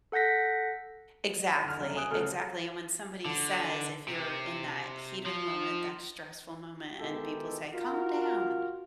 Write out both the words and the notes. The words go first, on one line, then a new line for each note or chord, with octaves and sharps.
Exactly, exactly, and when somebody says if you're in that heat of the moment, that stressful moment, and people say, "Calm down,"
A4 F#5 G6 A#6 B6
D3 F6
G1 F#2 C#3
G#5 D#6 F#6 D7
D2 C#3 A4 F6
D3
C3
F3
B2 D#3 G#3 E4 G4 A4
F4 F#4 A#4